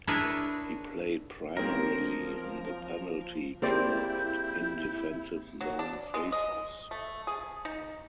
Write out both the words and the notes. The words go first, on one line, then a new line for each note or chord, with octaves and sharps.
He played primarily on the penalty kill and in defensive-zone faceoffs.
D4 E4 G#4 A#4 B4 C#5
D#3 F3 F#3 G#3 A#3 C4 A#4
A#3 C4 E4 G4 G#4 D5 G6
F#3
D4
G#3
D#5
A3
G#4
D#4